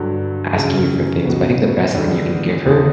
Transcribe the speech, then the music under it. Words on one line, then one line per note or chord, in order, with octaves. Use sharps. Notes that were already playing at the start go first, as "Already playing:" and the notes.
asking you for things but I think the best thing you can give her
Already playing: G2 D3 F#3
F#2 C#3 F#3
C#2 B2 F#3 B3 F#4
E2 D3 G3
E1 E2 D3